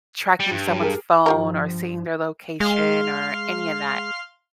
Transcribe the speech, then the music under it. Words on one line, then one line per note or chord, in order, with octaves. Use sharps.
tracking someone's phone, or seeing their location, or any of that.
G3
G2
F#3
G4 G#4 A#4
G2 F3 F4 G4 A#4
G#3 F5 C6 F6